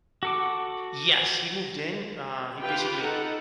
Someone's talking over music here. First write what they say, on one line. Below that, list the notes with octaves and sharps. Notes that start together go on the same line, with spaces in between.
Yes, he moved in. Uh, he basically
F#4 A4 D6
F4 G4 B4 G5
D#4 A4 F#5